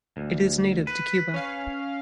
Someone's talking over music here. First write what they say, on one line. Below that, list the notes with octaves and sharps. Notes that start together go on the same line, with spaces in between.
It is native to Cuba.
D2
B4
C#4 F5